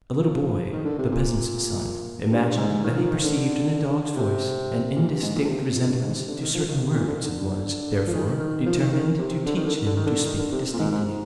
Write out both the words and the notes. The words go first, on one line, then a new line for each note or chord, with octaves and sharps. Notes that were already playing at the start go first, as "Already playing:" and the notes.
A little boy, the peasant's son, imagined that he perceived in the dog's voice an indistinct resemblance to certain words, and was, therefore, determined to teach him to speak distinctly.
F3
D#3
D3
C3
A#2
G2
G#2
D#3
F3
D#3
D3
D3
C3
A#2
G2
G#2
A#2
C3
F2
G2
G#2
C3
D3
D#3
F3
D#3
C3
A#2
D3
D#3
D3
F3
D#3
D#3
F3
D#3
D#3
C3
D3
D#3
D3
D#3
D3
D#3
D3
D#3
D3
C3
A#2
G#2
G#2